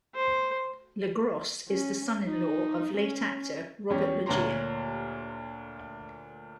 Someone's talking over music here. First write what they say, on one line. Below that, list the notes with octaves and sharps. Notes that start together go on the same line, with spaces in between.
LeGros is the son-in-law of late actor Robert Loggia.
C5
C#4
D#4
C#4
E2 C#4 G4
D2 A#2 C#5 A#5 C6